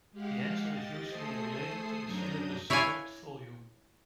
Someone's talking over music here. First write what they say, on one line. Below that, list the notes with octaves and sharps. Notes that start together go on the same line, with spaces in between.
The answer is usually related to the cylinder's swept volume.
G#3 G4 F5 F#5
G4 D#5 A6
A3 G#4 A4 C5 D#6 C7
F#2 F#3 D4 A#5 D#6 G6
E4 C#5 D5 F5 G#5